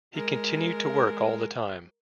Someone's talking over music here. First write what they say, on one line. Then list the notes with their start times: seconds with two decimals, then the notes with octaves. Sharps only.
He continued to work all the time.
0.16 G#3 A#4